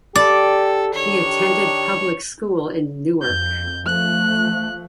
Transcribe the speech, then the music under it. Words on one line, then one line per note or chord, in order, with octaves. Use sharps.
He attended public school in Newark.
G4 A4 D5
D#3 D4 G4 C#5
F2 G6
F3 A3 F#6